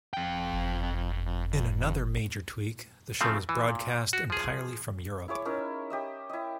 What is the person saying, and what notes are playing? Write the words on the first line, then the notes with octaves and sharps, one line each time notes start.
In another major tweak, the show is broadcast entirely from Europe.
F2 G5
C#3 F3 A3 C4
E3
A#2
F#4
F3 G#4
E4 G#4 C#5 D6
C#4 D#4 E4 A#4
G4 D#5 E5
E4 D#5